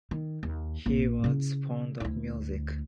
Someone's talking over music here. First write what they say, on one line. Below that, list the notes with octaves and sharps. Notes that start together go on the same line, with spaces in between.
He was fond of music.
D#3
D#2
A#1 A#2
C#3 E4
D2 E4